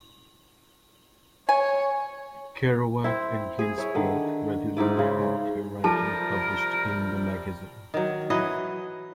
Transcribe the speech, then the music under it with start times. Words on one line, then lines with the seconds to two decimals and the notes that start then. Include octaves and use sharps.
Kerouac and Ginsberg regularly had their writing published in the magazine.
1.49 C#5 G#5
3.04 C4 E4
3.59 G#4
3.78 E4 C#5
3.95 D3 D#3
4.77 G#2 D#4 E4 D5
4.97 C#3 G#3
5.84 C3 F3 G3 A4 A#4 A5
7.94 D#3 F#3
8.30 E3 F#3 B4 D#5